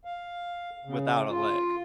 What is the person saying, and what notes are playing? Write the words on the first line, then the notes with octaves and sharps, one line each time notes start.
without a leg.
F5
C#3
F4